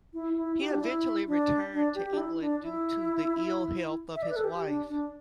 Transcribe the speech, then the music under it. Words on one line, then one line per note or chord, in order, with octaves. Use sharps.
He eventually returned to England due to the ill health of his wife.
E4
E4
G4
D4
E4
D4
D4
G4
D4
E4
D4
E4
E5
D5
B4
A4
G4
D4
D4